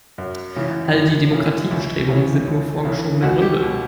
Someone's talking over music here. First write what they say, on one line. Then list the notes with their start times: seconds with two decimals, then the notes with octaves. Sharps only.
All die Demokratiebestrebungen sind nur vorgeschobene Gründe.
0.18 F#2
0.56 C#3 E3
0.94 F#2
1.32 C#3 E3
1.70 C#2 E4
2.09 C#3 E3
2.47 C#2
2.85 C#3 E3
3.22 C#2 F#4
3.42 G4
3.62 B2